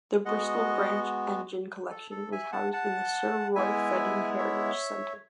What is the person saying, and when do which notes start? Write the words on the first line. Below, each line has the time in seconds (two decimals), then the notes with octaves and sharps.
The Bristol branch engine collection is housed in the Sir Roy Fedden Heritage Centre.
0.25 G#3 B3 F#4 D#5 F#5
1.91 A4
2.11 A4
2.32 E5 G#5
2.52 F#5 A5
2.73 F#5 A5
3.55 G#3 B3 E4 E5 G#5
4.39 C#5 E5